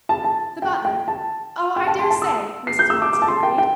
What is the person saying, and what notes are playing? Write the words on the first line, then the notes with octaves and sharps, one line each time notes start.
"The butler--oh, I dare say!" Mrs. Watson agreed.
A5
A5
G5
G5
A5
G5
A5
C6
A5
E6
C7
G6
E6
D6
D6
A5
C6
G5
G5